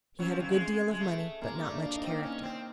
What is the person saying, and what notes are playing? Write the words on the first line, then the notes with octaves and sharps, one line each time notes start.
He had a good deal of money but not much character.
F#3 C#4 C#5
F3
F#3 C4 C5
G#3
G#3
A3
G#3 A#3 A#4
A#3 A#4
A3
D4 D5
A#3 D4 D5
D#4 D#5
C4
A#3 A#4
C#4
C4